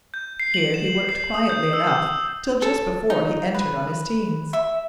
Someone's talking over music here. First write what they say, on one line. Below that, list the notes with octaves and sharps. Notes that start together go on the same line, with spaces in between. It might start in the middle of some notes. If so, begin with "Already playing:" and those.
Here he worked quietly enough till just before he entered on his 'teens.
G6
C7
F#7
E7
C7
D#6
G6
E6
G6
A4
D#4
B4
E5